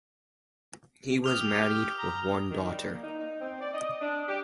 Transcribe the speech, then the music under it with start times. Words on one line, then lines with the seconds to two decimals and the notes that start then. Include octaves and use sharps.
He was married with one daughter.
1.24 G4 D#6 F6 F7
1.99 A#5
2.51 D#3
2.69 G3
2.91 A#3
3.03 D#4
3.18 D#4
3.40 C4
3.60 D5
3.72 D#5
4.01 D4
4.28 G4